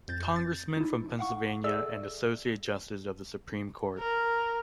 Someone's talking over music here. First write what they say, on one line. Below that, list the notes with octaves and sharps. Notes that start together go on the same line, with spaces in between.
Congressman from Pennsylvania and Associate Justice of the Supreme Court.
F2 G6 A6
A6
D#4 E4
F5 F#5 C#6
G#4 A4 D5 E5 E6
A#4